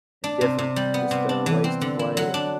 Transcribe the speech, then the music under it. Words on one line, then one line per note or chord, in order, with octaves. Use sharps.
in different just, uh, ways to play and
D4
C3
C3
G3
B3
C3
D4
E3
C4
D3
E4
F#3
D4